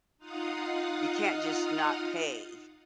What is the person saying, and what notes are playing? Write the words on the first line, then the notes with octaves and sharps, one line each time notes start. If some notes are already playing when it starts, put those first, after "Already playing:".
You can't just not pay,
D#4 F4 F5 F#5 D#6